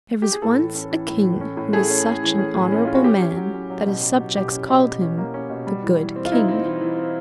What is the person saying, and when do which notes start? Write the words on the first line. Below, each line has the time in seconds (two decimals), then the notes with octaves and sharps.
There was once a king who was such an honourable man that his subjects called him "The Good King."
0.22 G4
0.32 G#4
0.42 A2 A4
0.58 E3
0.75 C#4
0.91 E3
1.08 A2
1.24 E3
1.41 C#4
1.57 A2
1.73 A3 G#4
1.90 C#4
2.06 A3
2.23 E3
2.38 C#4
2.55 A2
2.72 C#4
2.85 C#4 F4
2.95 F#4
3.04 C#4 G4
3.21 C#4
3.37 F#3
3.54 C#4
3.70 F#3
3.86 B2
4.02 F#3
4.19 F#3
4.35 B2 G4
4.52 C#4
4.68 B2
4.85 B2
5.02 C#4
5.17 A#3
5.34 C#4
5.50 B2
5.67 G3
5.83 E3
5.99 E3
6.16 C4
6.25 F4
6.32 D#4 E4
6.48 C4
6.65 E3
6.81 E3
6.97 C4